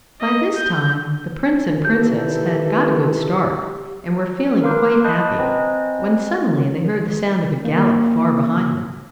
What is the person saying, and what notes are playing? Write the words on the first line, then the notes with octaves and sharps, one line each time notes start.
By this time the prince and princess had got a good start, and were feeling quite happy, when suddenly they heard the sound of a gallop far behind them.
D#5
G6
D#3 E3 G4 A4 G6
A#4 B4 F5 C6 D6 G6
D#5 A5 B5 D#6 F#6 G6
C4 B4 C5 D#5 G#5 A#5
A#3